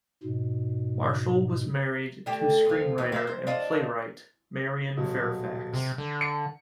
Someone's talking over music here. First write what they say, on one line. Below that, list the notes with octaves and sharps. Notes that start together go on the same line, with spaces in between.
Marshall was married to screenwriter and playwright Marion Fairfax.
G#2 B2
D3 A3 G4
E2 F3
D#2 E3
A#3 B4 E5
C5
D4 F4 D#5
D#1 B2 F#3
C3
D3
C#7